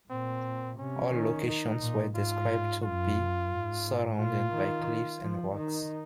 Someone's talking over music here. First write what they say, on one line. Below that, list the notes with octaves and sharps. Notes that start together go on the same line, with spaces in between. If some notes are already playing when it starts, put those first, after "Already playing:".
All locations were described to be surrounded by cliffs and rocks.
A#2 C4
C3 C#4
D#3
D#4
A#2
G#2 F4
F#2 F4
G#2
A#2 F4
D#3
F3
D#3 D#4